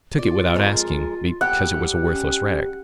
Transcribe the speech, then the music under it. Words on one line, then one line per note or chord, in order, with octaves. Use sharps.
I took it without asking, because it was a worthless rag.
F4 D5
F2 G#3 A#4
G3 G4 A4 F#5
C#4